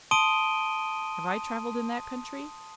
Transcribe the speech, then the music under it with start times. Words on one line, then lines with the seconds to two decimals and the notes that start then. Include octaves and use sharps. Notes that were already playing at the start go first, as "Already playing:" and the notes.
Have I travelled in that country?
0.11 A5 C6 D#6 D7 D#7 G7